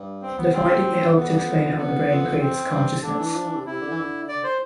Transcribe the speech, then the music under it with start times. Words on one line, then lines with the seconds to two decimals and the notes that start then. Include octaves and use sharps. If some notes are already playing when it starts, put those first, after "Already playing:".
The finding may help to explain how the brain creates consciousness.
Already playing: G2
0.22 C4
0.37 B3
0.53 C4
0.64 D3
0.74 C3
0.85 A2
1.00 G2
1.16 F2 B3
1.28 G2
1.40 F2
1.78 B3
2.09 F2
2.40 C4
2.72 G2
3.03 D3 D4
3.19 E3
3.34 F3
3.45 E3
3.55 C3
3.66 C3 E4
3.82 D3
3.90 E3
4.00 D3
4.28 D5
4.44 C5